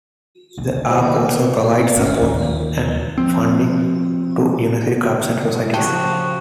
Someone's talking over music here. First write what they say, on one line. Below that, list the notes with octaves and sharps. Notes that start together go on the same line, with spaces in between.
The Arc also provides support and funding to university clubs and societies.
A1 D2
D#2 A2 C#3 G3 C5
G1 C#4
D#2
F3 C4
C#3 F3 F#4 G4 A5